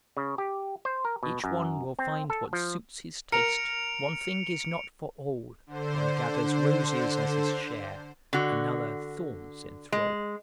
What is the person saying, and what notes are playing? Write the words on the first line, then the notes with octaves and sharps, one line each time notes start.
Each one will find what suits his taste, one thing is not for all, One gathers roses as his share, another thorns enthrall.
C#3
G4
C5
A#4
B2
F#2
C4
A4
F3
A#4 C#7 D7 F7
D3 C5
D3 F#4
G#3